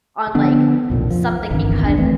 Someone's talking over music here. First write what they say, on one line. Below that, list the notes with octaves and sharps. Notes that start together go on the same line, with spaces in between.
on, like, something because it's
D3 F3 B3 D4
B1 F2 A#2
F3
G1 C2 D#3 E3
E2 B3 D4
F#1 E3 A3 C4